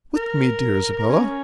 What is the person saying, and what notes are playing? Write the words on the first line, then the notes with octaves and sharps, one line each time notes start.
"With me, dear Isabella!"
A#4
C#4